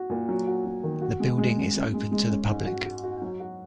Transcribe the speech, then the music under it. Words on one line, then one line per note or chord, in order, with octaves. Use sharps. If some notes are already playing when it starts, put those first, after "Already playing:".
The building is open to the public.
Already playing: F#4
A#2
F#3
F#4
F#3
D#3
F#4
G#3
G#3
F#2
F#2
G#3
G#3
C#4
G#2
F#4
F#4
F#4
F#3
F#4